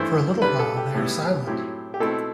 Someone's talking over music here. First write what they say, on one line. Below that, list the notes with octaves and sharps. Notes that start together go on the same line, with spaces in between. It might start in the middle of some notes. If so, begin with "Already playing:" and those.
For a little while they are silent.
Already playing: G2 E3 A3 E4 C5
C3 G3 D4 B4
A4
G4
A2 G3 B3 E4
A2 F#3 C4 E4 G4
G4
B2 A3 C4 E4 A4